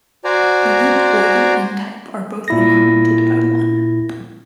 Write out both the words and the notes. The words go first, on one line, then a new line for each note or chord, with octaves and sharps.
The loop order and type are both incremented by one.
F#4 C5 D5 G#5 A#5
A#2 E4 A#6